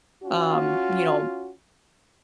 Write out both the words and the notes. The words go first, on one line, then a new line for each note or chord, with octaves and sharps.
um, you know,
C#4 F4 F#4